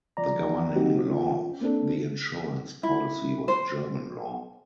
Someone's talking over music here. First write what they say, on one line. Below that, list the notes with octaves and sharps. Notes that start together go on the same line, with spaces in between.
The governing law of the insurance policy was German law.
F3 D5 A#5
F#3 A#3 C4 D#4 F#4 G4
C#4 F4
A#3 C4 D4 A4
E4
C5